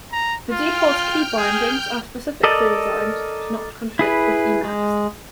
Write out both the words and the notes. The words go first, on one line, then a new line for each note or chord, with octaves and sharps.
The default keybindings are specifically designed to not conflict with Emacs.
A#5
F4 G5 F6 G6
G#4
A4 A#4 D5 D#5
E4 G#4 B4
G#3